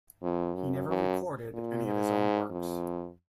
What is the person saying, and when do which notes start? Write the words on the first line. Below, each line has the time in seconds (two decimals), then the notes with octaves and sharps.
He never recorded any of his own works.
0.23 F2
0.55 F#2
0.88 F#2
1.54 A#2
1.85 G#2
2.51 F2